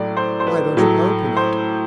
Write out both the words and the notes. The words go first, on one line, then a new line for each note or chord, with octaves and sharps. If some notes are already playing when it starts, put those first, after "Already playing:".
"Why don't you open it?"
Already playing: A2 F#3 A3 D5
C5
C5
B4
A2 F#3 A3
C5